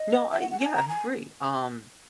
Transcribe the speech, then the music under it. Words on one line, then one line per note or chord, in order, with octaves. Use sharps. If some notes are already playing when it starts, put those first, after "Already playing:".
No, I yeah, I agree. Um
Already playing: D#5
E5
F#5
F#5
G#5
A#5
G#5